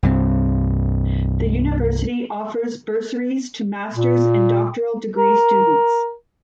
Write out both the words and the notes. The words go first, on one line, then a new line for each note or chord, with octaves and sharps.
The university offers bursaries to master's and doctoral degree students.
C2 G2 G3 C4
A#2
A#4